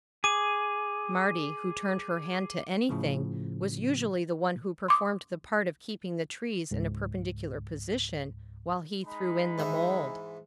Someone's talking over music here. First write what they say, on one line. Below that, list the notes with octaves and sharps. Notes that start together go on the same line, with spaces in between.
Marty, who turned her hand to anything, was usually the one who performed the part of keeping the trees in a perpendicular position while he threw in the mould.
G#4 D6 D#7
A2 C#3 F3
C6 D6 D#6
C#2 G#2
G#3 D#4 B5
G#2 E3 E5